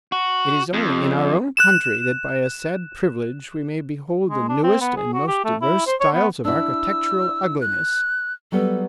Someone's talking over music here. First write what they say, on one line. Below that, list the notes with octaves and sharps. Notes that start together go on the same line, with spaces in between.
It is only in our own country that by a sad privilege we may behold the newest and most diverse styles of architectural ugliness.
F#4
F2
F#6 E7
G#3
D4
C4
B3
G#4
F#4
G4
A3
E4
C5
C#5
B3
D4 E4 E6
F#6
F#3 G3 B3 A4